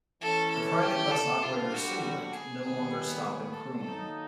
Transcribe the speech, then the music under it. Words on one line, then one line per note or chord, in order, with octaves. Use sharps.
The private bus operator Citylink no longer stop in Croom.
E3 A3 C#4 A4
A4
G4
A4
D2 D3 G3 F4
F#4
F#4
G#4
D#2 D#3 G3 B3 G#4
G#4
A4
D#3 F#3 A#3 D#4 A4